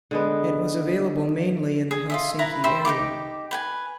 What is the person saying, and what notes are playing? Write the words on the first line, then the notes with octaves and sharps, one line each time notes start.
It was available mainly in the Helsinki area.
D3 G#3 B3
G#4
F4 D#5 E5
E4 B4 A#5
G4 C5 E5 B5
D#4 F#4 G4 D6
B4 G5 G#5